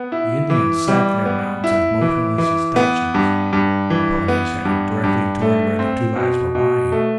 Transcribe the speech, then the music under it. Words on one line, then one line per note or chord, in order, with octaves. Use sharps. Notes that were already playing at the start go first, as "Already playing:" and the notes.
The Indians sat their mounts as motionless as statues, the ponies headed directly toward where the two lads were lying.
Already playing: B3
E4
E3
G3
B3
E4
E3
E3
B3
G2
G2
E3
B3
G2
G2
A3
C4
B2
B2
A3